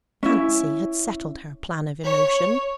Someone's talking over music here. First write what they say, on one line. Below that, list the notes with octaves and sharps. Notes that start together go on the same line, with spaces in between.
Fancy had settled her plan of emotion.
C#4 E4
C#5